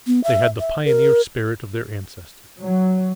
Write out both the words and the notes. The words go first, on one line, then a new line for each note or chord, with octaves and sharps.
They had the pioneer spirit of their ancestors.
B3
E5
E5
A#4
F#3